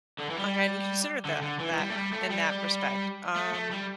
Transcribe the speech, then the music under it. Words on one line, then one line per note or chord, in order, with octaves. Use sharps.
I hadn't considered that that in that respect. Um
D3
E3
G3
D3
D3
E3
E3
G3
A3
G3
A3
G3
A3
A3
G3